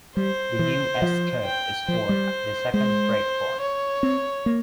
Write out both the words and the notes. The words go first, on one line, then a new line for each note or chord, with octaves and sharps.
A new S-curve is born at the second breakpoint.
G3 C5
E3
F3
G5
F3 C5
G3
G#3 C5
C#5
C4
A#3